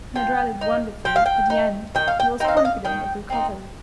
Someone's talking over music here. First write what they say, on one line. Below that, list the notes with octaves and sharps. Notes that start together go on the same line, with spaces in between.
He had rallied wonderfully at the end and was confident of recovery.
F3 G5
D#4
F3 G5
F5
G5
D#4
D#3 G5
F5
G5
C4 D#4 F5 G5
D#5
F5
D#3 G5
C4 D#4